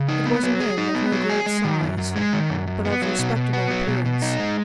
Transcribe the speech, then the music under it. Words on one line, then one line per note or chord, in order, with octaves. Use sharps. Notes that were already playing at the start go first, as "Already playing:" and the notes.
It was an inn, of no great size, but of respectable appearance.
Already playing: C#3
D#4
B3
F#3
G#4
D#4
B3
F#3
G#4
G#3
D#3
F#2
F#2
G#3
D#3
F#2
F#2
B3
F#3
B2
B2
B3
F#3
B2
B2
D#4
G#3